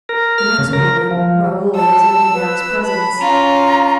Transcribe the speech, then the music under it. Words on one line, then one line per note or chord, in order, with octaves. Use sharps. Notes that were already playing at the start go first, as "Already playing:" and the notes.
The next moment Raoul was in Madame's presence.
A#4
F6
C#3
A#4
F3
A5 E6
B4
A5 B5
C#4 F4 A#5